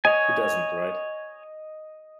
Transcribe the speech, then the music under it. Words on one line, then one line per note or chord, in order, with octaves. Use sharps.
Who doesn't, right?
C#5 D#5 G#5